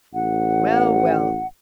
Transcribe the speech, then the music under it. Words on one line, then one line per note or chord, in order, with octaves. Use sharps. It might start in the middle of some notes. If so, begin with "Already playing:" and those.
Well, well!
A1 F#5